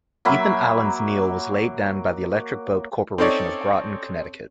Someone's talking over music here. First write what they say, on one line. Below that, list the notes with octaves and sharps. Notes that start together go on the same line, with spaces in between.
"Ethan Allen"s keel was laid down by the Electric Boat Corporation of Groton, Connecticut.
F#3 A#3 E5 B5
C4 C#4 D#4 A4 C#5 D5